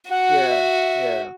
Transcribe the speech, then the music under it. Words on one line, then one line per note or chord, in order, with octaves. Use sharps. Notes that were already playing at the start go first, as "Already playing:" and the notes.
Yeah. Yeah.
F#4 F#5
E5